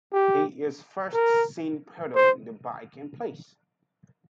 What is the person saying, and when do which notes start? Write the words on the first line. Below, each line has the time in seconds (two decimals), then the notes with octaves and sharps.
He is first seen pedaling the bike in place.
0.13 G4
1.14 A#4
2.15 C5